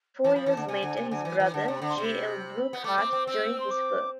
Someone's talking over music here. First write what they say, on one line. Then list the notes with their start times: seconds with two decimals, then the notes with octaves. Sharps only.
Four years later his brother, J. L. Brookhart, joined his firm.
0.24 E3 A5
0.36 F3 B5
0.46 E3 A5
0.57 D3
0.68 C3 G#5
0.83 D3
0.97 C3
1.11 D3 G#5
1.25 E3
1.40 E3
1.54 D3 A5
1.68 C3
1.76 B5
1.82 D3
1.90 C6
1.98 C3
2.04 B5
2.73 B3
2.84 A3 D6
2.98 C4
3.13 C4
3.27 C4 E6
3.60 C6
3.71 D6